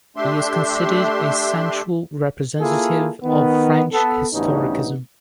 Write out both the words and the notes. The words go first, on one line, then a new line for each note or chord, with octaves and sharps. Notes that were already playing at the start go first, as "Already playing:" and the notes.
He is considered a central representative of French historicism.
A3 D4 G4 E5 C6
A#3 E4 F4 G#4 A4
D#3 B3
B3 A4
A1 D2 G2 B3 C#4 D#4